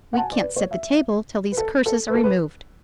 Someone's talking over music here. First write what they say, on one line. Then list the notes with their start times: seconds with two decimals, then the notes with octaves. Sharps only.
We can't set the table till these curses are removed.
0.13 F#5
0.18 A5
0.22 G#5
0.32 D5
0.42 B4
0.56 C#5
0.71 E5
1.52 B4
1.57 A4
1.86 A4
2.10 B4
2.15 A4
2.24 B4